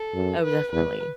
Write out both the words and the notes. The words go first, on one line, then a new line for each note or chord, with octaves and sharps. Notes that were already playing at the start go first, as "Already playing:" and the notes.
Oh, definitely.
Already playing: A4
F#2
B4
E2 B4